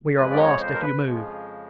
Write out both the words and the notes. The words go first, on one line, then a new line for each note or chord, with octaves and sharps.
We are lost if you move.
F2 C#3 F3 G#3 B4
D5
C#5
C5
A#4
B4
F2 C#3 F3 G#3